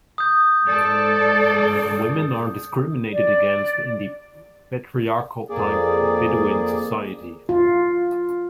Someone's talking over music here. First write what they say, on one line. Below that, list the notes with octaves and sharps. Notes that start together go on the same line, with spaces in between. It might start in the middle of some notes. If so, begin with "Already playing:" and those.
Women are discriminated against in the patriarchal-type Bedouin society.
D#6 G6
G#2 A4 D5
D5
F2 A#3 G#4 D5
F4